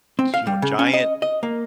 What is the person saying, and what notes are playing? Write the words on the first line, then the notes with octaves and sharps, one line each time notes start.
you know, giant
C4
F5
G3
C#3
C#4
D#5
D#5
A#3